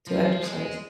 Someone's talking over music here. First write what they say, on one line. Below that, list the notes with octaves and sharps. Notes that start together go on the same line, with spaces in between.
to exercise?
F3 F#3
G#3